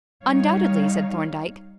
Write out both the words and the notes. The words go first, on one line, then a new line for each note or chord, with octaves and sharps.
"Undoubtedly," said Thorndyke.
G3 D#4 C#5 F5